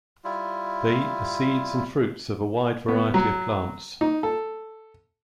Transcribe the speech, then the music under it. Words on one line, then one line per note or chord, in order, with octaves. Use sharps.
They eat the seeds and fruits of a wide variety of plants.
G3 E4 F4
B3
F#3
D#4
A4